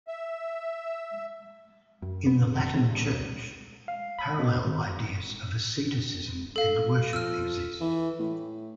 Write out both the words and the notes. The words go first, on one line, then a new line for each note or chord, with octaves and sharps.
In the Latin Church, parallel ideas of asceticism and worship exist.
E5
F#2
B3
F#1
F1
G#2
G2
C2
F5
B5
B2
G#1
A4 F5
F3 E6 F6
E3
A2